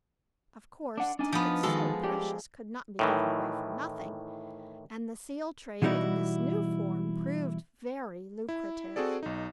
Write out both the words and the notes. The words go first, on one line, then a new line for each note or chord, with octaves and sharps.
Of course, tickets so precious could not be given away for nothing, and the seal trade in this new form proved very lucrative.
D4 F#5
D4 D#4 G#5
F3 B3
D#3 G#3 F#4 A4
G4 D5
A2 D#3 E3
B2 E3 G3 D#4 E4 F#4
E4
C4 F#4 G#4 A4 D5
B1 D#4